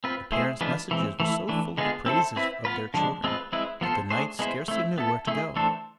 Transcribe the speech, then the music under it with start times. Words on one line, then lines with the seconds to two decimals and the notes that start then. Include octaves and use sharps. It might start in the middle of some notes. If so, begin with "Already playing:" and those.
The parents' messages were so full of praises of their children that the knights scarcely knew where to go.
0.04 C4 F4 B4
0.32 A3 E4 G#4 C5
0.61 E3 G#3 D4 F4 B4
0.91 E3 G#3 C4
1.20 E3 A3 E4
1.49 E3 A3 D4
1.78 D3 G#3 B3 F4 G#4
2.06 C4 E4 A4 C5
2.36 C4 E4 B4
2.65 B3 F4 B4
2.94 D3 F3 G#3 D4
3.24 G#3 C4 F4 B4
3.52 G#3 C4 E4 B4
3.81 F3 B3 F4 A4 C5
4.10 A3 D4 G#4 C5
4.39 G#3 B3 E4 G#4 C5
4.68 A3 C4 E4
4.98 B3 E4 A4
5.27 A3 E4 G#4
5.56 E3 A3 D4 A4 C5